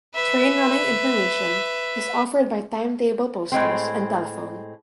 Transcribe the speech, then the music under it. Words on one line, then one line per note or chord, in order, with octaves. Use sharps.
Train running information is offered by timetable posters and telephone.
B4 E5
A2 G#3 C4